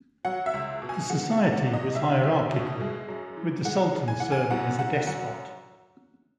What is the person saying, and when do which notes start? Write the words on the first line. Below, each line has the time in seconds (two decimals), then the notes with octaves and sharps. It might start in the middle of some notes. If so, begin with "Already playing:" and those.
The society was hierarchical, with the sultan serving as despot.
0.25 F#3 F#5
0.46 E5
0.53 C#2
0.82 B2
0.89 G#5
1.10 G#3 F#5
1.32 F#5
1.38 E2
1.52 F#5
1.67 E2
1.73 D#5
1.95 B1 E5
2.24 B1
2.52 B2
2.81 G#3
3.08 F#2
3.37 E3
3.65 G#3 F#5
3.93 E3
4.08 G#5
4.20 E3 F#5
4.32 G#5
4.50 F#2 F#5
4.79 F#2 F#5
5.07 F#2 F#5